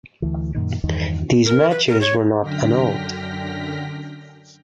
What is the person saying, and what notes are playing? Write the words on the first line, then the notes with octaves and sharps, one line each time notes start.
These matches were not annulled.
D2 E3
F#2 A#2 D#3
E2 G2 D#3
A#4
B4
A#4
C#5
F#2 D3 G5 F6 A#6 B6